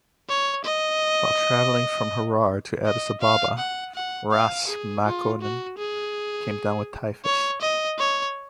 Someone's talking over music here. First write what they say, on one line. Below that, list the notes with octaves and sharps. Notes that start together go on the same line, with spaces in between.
While travelling from Harar to Addis Ababa, "Ras" Makonnen came down with typhus.
C#5
D#5
D#5
F5
F#5
F#5
F5
G#4
F4
F#4
G#4
C#5
D#5
C#5